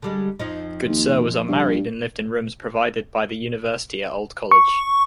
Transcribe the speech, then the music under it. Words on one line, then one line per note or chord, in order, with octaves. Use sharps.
Goodsir was unmarried and lived in rooms provided by the University at Old College.
D3 G3 G#3
F2 F3 D#4
D#2
G2
C#6